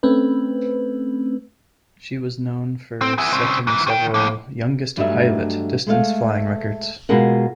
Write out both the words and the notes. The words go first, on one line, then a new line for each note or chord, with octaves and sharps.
She was known for setting several "youngest pilot" distance-flying records.
A3 C4 C#4 B4
C4
E4 G#4
C#3 C4
G#2 E3
D#3 G5
F3 A#3
G2 F#3 G3 A3 D#4 E5
G#3 A3 F5
B2 G#3 F4 G#4 A#4 F#5